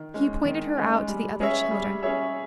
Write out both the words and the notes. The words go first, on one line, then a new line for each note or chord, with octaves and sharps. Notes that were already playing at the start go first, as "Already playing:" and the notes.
He pointed her out to the other children.
Already playing: D#3
G#3 C#4
D#3
G#3 C#4
G3
C#4 G#4 C#5 E5
G3
C#4 G#4 C#5 E5